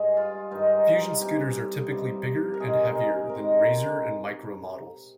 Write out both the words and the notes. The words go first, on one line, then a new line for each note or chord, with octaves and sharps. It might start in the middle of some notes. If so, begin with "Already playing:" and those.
Fuzion scooters are typically bigger and heavier than Razor and Micro models.
Already playing: G2 G#3 G#4
F4
G2 D#3 G#3 D#4
F4
C3 G3 G4
C3 G3
A#4
C3 D#3 G#3 G#4
A#4
C3 D#3 G#3 A#4